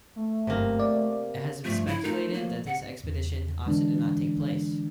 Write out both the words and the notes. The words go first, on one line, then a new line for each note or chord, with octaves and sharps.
It has been speculated that this expedition also did not take place.
A3
G1 F#2 C3 A#3
D5
G2 F3 A3
E4
F3 A3 D#4 A#4
A#3
F#5
E2
D3 E3 G#3 D4